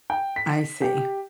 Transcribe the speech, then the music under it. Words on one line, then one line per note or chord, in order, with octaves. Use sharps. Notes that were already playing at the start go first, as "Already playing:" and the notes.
I see.
G5
B6
G4